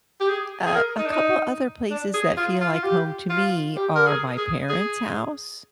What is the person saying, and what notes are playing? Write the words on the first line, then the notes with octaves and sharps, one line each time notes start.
a a couple other places that feel like home to me are my parents' house,
G4
G#4
G#4
A#4
D#4
D4
D#4
D4
G#4
F4
F4
F4
G4
F4
G4
A#4
G#4
G#4
G#4